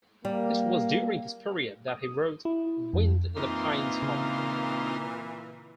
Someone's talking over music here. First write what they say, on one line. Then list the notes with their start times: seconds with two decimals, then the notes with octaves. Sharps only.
It was during this period that he wrote "Wind in the Pines Hall".
0.25 G3 A#3
1.88 D#6
2.45 E4
2.93 F2
3.36 A#2 E3 A#3 C4 D#4 F4
4.03 C#3